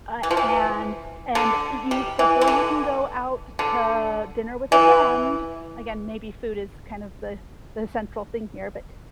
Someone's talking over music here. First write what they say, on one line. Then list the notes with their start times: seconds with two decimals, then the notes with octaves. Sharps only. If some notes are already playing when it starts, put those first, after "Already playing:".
Uh, and and you before you can go out to dinner with a friend, again, maybe food is kind of the the central thing here, but,
0.23 E3
0.31 F3
0.37 E3
1.35 D3
1.91 G3
2.19 E3
2.41 E3
2.48 D3
3.59 D3
4.72 E3